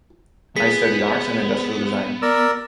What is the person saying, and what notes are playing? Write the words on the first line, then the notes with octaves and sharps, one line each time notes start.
I study arts and industrial design.
B3 G#4 B6
A#4 D5 E6